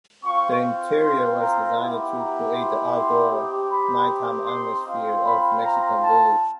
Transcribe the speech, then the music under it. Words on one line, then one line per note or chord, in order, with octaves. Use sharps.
The interior was designed to create the outdoor nighttime atmosphere of a Mexican village.
C4 F4 C#6
C6
A#5
B3 E4 G4
A#5
C6
C6
C4 D#4 G4
B5
C6
C4 F4
B5
A#5
A5